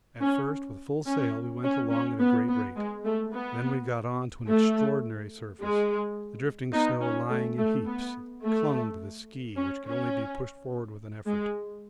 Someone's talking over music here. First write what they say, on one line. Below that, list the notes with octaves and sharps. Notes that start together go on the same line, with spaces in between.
At first with full sail we went along at a great rate; then we got on to an extraordinary surface, the drifting snow lying in heaps; it clung to the ski, which could only be pushed forward with an effort.
C#4
C#4
C#4
C#4
B3
B3
G#3
A3
B3
A3
G#3
B3 D#4
C#4
A3
A3
B3
A3
C#4
C#4
G#3